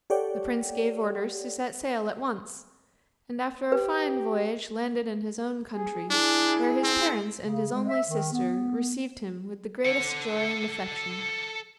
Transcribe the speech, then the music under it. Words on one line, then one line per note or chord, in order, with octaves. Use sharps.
The prince gave orders to set sail at once, and after a fine voyage landed in his own country, where his parents and his only sister received him with the greatest joy and affection.
G4 A4 C#5 D5 F#5 G5
G4 B4
G#4
D4 E4 G#4
C4
C#3
G#3
E5
D#3
B3
A4 F#5